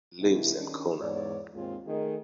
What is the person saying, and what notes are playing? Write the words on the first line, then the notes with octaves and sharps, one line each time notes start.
He lives in Khulna.
B2 D#3 E4
D#3 C#4 D4
E2 G#2 C#5 D5
D#2 G#2 G#3 C4 F4
D#3 A3 G#4 A#4 D#5